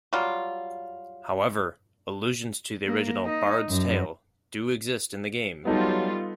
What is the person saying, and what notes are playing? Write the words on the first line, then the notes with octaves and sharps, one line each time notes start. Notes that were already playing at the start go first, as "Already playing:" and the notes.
However, allusions to the original "Bard's Tale" do exist in the game.
F#3 G3 F4
A#3
D#4
F#2
F#3 G3 B3 D#4 F4 A4